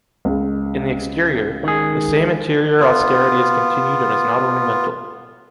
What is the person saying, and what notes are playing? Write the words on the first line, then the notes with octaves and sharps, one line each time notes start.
In the exterior, the same interior austerity is continued and is not ornamental.
C#2 C#3
D#3 G#4
B3 F4